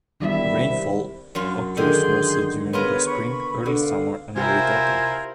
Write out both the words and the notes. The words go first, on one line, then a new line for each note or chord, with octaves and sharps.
Rainfall occurs mostly during the spring, early summer and late autumn.
E1 D#3 G3 E4 E5
C3
F#2 F#3 F4
D3 D#3 G#4 C6 G6
B3 F4 G#4 A#4 B4 C#5
B5 C#6
D3
F5
C3 E4 F4 G4 A#4 C5 G#5